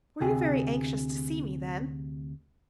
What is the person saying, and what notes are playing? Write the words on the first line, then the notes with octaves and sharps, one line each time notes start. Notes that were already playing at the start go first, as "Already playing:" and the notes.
"Were you very anxious to see me, then?"
D2 C3 G#4